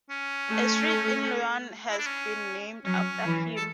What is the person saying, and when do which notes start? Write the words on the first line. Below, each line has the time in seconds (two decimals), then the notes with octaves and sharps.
A street in Lyon has been named after him.
0.10 C#4
0.49 A3
1.91 E4
1.98 D4
2.06 C#4
2.85 F#3 C#4
3.25 E3
3.56 A4